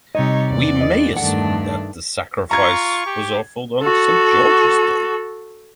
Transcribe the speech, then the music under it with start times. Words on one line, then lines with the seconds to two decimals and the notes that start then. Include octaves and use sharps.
We may assume that the sacrifice was offered on St. George's Day.
0.15 C3 G3 D#4 C#5 D#5
0.50 E2 D5
0.81 D#5
1.17 G2 D#3 A3 D4 F#5
2.51 F4 A#5 C#6 G#6
3.06 G4
3.81 F#4 A4